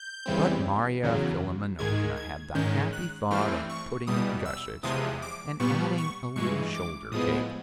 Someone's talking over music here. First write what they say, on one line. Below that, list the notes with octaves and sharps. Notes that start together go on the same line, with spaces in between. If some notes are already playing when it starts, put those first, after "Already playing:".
But Marya Philimonovna had the happy thought of putting in gussets, and adding a little shoulder-cape.
Already playing: G6
E2 C#3 E3 G3 C4
E2 C#3 F#3
G#2 D#3 G#3 G#6
G#6
G#2 D#3 G#3 C#4 G6
F#6
G2 E3 A3 C4 F6
C#6
E2 B2 G3 D#6
E6
E2 C3 F3 G#3 D#6
D6
A#2 G3 B3 C#6
C#6
G2 E3 G#3 C#6
D6
A2 F3 G#3 B3 D#6